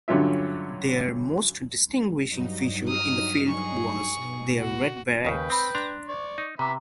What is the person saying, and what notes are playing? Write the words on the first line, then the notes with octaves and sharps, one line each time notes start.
Their most distinguishing feature in the field was their red berets.
G2 D3 F#3 C#4 F4 E5
G2 F#3 D#4
D#6 F6
G#4 C#6
B2
F#4
D#2 C#3 B4 G5
C4 B5 D#6
D4 A#5 C6 F#6
D5 C#6
D#4
C3 B3 E5 A#5 B5 D6